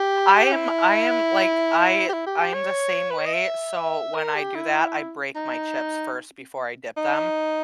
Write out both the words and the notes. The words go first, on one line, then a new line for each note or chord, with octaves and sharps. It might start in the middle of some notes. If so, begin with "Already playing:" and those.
I am I am, like, I I'm the same way, so, when I do that, I break my chips first before I dip them.
Already playing: G4
E4
G4
E4
G4
G4
C#5
B4
C#5
D#5
E5
A#4
G4
E4
D#4
D#4